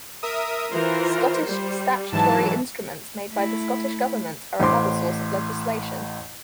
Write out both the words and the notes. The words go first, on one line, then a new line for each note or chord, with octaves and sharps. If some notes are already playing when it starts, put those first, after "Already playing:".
Scottish Statutory Instruments made by the Scottish Government are another source of legislation.
A#4 E5 D#6
E3 F4 A#4 C5
G3
G#2 E3 F#3 A5
A3 E4
A1 A2 C5 C6 D6